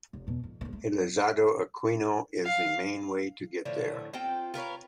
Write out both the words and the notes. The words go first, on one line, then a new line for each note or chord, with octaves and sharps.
Elizardo Aquino is the main way to get there.
F1
E2 B2
F2
G2 B2
A3
F5
A2 D3 F3 A3
C4 F4 A4 G5
F4 A#4 B4 C#5